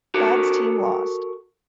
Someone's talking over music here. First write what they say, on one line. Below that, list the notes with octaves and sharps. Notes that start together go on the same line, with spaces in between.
Badd's team lost.
F#4 A4 A#4